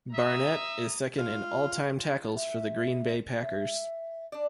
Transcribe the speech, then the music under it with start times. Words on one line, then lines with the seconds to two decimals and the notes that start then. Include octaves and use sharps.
Barnett is second in all-time tackles for the Green Bay Packers.
0.14 E5 A#5 D#6
1.18 F4
1.99 F4
2.36 E5
3.42 E5
4.32 D4 D5